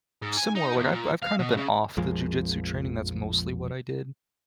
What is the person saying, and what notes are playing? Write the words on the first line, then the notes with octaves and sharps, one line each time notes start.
similar, like, I've I've kind of been off the jujitsu training, that's mostly what I did,
G#2
G#5
D#4
E2
A#2
F5
B2
C#3
A#1 F2 F3 G#3